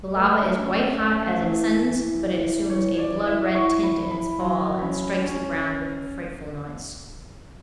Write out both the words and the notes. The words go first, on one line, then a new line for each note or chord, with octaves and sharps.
The lava is white hot as it ascends, but it assumes a blood-red tint in its fall, and strikes the ground with a frightful noise.
A3 B4
C#4
A3
E3
E3
E3
E3 C#5
C#5
D5
E3
E5
E4 C#6
B5
E4
B5
F#3
C#4 B5
C#4